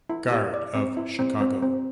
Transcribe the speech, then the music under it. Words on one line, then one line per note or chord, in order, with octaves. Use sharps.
Gard of Chicago.
E4
G4
D5
C4
E4
C4
C4
C4